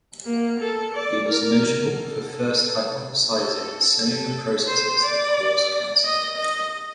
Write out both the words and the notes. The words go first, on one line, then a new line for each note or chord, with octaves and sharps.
He was notable for first hypothesising the cellular processes that cause cancer.
A#3
A4
D5
A#4
A4
A4
A4
C5
D5
D#5
D#5